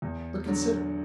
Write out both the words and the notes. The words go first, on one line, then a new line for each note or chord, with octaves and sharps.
But consider.
E2
D3 F#3